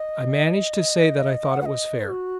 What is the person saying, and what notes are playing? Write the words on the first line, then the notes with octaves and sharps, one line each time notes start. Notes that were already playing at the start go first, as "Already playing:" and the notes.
I managed to say that I thought it was fair.
Already playing: D#5
F#5
F#5
D#5
F#4